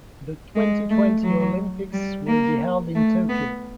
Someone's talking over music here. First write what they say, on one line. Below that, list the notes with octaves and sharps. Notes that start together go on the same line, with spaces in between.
The twenty-twenty Olympics will be held in Tokyo.
G#3
A3
F#3
G3
A#3
A3
B3